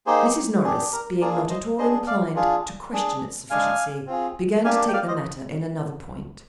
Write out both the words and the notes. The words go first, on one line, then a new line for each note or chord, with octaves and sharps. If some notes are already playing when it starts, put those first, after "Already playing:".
Mrs. Norris, being not at all inclined to question its sufficiency, began to take the matter in another point.
A#3 D#4 G4 G#4 C5
D4 G4 G#4
A#4
A#3 D4 F4 G#4 A#4 D5
C5 D#5
D4 G#4 C5 D#5
D5 F5
D4 F4 G#4
D4 G#4
G#3 D4 G#4 F5 G#5
C4 F4 G#4
A#3 D4 G4 F5 G#5
G5
D5 F5
C5 D#5